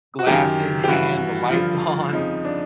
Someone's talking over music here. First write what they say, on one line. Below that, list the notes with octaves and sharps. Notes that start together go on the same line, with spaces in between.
glass in hand, the lights on?
F#4
F#2 D#3 G4
G4
G2 E3 F#4
G2 D3 F3 F4
F2 C#3 F3 D#4
D4